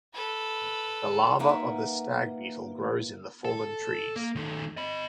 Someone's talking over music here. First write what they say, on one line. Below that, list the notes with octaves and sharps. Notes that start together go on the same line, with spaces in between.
The larva of the stag beetle grows in the fallen trees.
A4 B4
A#3 D#4 A#4 B4 E5 F#5
A4
A#3
D#3 A3
D#5 B5